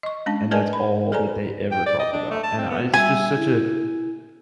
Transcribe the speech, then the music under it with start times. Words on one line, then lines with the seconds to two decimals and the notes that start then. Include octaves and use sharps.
and that's all that they ever talk about. And I it's just such a
0.03 D#5 C#6
0.26 G#3 C#4 D4 A5
0.51 G#4 A#4 B4 D5 G#5 A5
0.73 B5
1.12 G#4 A4 B4 D5 G#5 A#5
1.71 G5
1.86 D5
1.99 D#5
2.13 D4
2.31 A3
2.43 A5
2.58 C4
2.70 B3
2.94 G3 E5 G#5 E6
3.36 E4